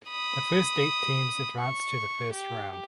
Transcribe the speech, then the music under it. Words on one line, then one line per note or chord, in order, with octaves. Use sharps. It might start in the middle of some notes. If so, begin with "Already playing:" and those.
The first eight teams advanced to the first round.
B5 D#6
C#6
G4